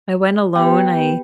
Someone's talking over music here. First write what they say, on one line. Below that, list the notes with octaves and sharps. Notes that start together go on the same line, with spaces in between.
I went alone. I
B3 G4 B4 G5